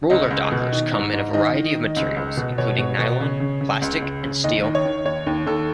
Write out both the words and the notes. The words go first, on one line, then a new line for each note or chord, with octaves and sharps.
Roller dockers come in a variety of materials, including nylon, plastic, and steel.
C#2 D#5
C#2
B2
D#3
G#2
G#2
D#3 D#5
D#3
D#3
C#2
C#2
B2
B2 C#5
B2
B2
C#3
C#3
C#3
C#2
C#2
C#3
D#2 D#5
D#3
C#5
D#3
D#2 C#5
D#2
D#2 A4